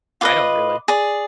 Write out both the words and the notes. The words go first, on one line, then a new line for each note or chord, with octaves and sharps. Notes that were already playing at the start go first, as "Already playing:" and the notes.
I don't really.
F4 B4 D#5 D6
G#4 D5